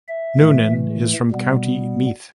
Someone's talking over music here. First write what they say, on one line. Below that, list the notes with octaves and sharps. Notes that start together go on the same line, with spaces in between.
Noonan is from County Meath.
E5
A2 E3 A3
B2 G3 B3